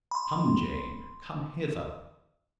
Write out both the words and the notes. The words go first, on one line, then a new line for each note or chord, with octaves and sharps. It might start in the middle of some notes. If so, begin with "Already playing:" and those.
"Come, Jane--come hither."
B5 C6